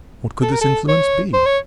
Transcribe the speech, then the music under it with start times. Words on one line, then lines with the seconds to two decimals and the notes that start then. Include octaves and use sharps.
What could this influence be?
0.42 A4
0.52 A#4
0.61 A4
0.88 C#5
1.33 C5
1.46 C#5